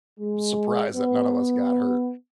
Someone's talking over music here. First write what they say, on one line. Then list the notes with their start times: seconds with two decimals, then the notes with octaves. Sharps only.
surprise that none of us got hurt
0.19 G#3
0.93 B3